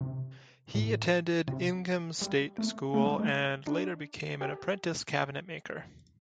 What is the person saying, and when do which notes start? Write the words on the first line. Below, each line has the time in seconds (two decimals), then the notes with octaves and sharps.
He attended Ingham State School and later became an apprentice cabinet-maker.
0.01 C3
0.74 A2
1.48 C3
2.21 G3
2.58 A3
2.94 A3
3.06 G3
3.19 A3
3.67 D4
4.41 G4